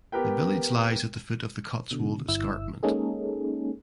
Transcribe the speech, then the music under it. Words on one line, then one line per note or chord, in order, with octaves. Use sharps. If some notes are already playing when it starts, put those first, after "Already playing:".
The village lies at the foot of the Cotswold escarpment.
B3 G4 A#4 B4 G5
B2 D3
G1 E4 E6
G#3 A#3 C#4 D#4 G#4 A4